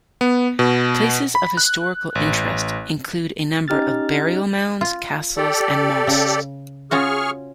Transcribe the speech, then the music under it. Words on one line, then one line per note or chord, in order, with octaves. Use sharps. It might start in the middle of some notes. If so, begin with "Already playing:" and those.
Places of historical interest include a number of burial mounds, castles and mosques.
B3
B2
B5
F#6
A1
C#4 D#4 G4 F6 A6
F4
G4 A4 D5
C#3
C#4 F4 F#4 G#4 C#6 F6